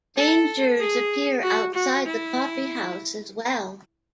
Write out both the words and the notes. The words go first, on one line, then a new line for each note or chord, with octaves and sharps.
Dangers appear outside the coffee house as well.
A4
G#4
F#4
F#4
E4